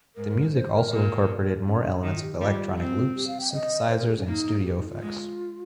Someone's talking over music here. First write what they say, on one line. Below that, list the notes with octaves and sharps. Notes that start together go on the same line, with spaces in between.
The music also incorporated more elements of electronic loops, synthesizers and studio effects.
G#2 A#4
C5
A#4
A#2
C#4
D#3 D#4
F4
G4
G4
G3 F4
C4
G4
F5
G5
D#5
C5
A#4
G#4
C#4
A#3 D#4
F4
G4
D#4
F4
G#3